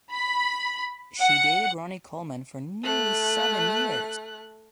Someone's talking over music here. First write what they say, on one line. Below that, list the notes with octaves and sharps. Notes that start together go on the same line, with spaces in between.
She dated Ronnie Coleman for nearly seven years.
B5
F#5
A3 F#6